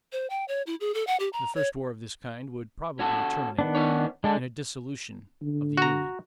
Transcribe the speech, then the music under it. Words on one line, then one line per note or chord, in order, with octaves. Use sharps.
The first war of this kind would probably terminate in a dissolution of the Union.
C5
G5
C#5
E4
G#4
A4
F#5
G4
A#5
C#5
C#4 F#4 A4
D#3 B3 D4
C#4 D#4 C#5
G#3 D4 A4
D3
F#4 A#5